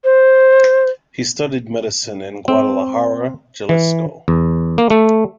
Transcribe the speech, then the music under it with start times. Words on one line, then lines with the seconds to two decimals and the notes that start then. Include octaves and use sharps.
He studied medicine in Guadalajara, Jalisco.
0.04 C5
2.48 C4
3.69 E3
4.28 E2
4.78 A#3
4.90 A3